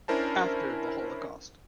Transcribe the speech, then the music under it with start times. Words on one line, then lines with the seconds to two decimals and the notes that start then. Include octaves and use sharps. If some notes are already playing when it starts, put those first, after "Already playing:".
After the holocaust.
0.08 C#4 D4 E4 A#4 C5 A5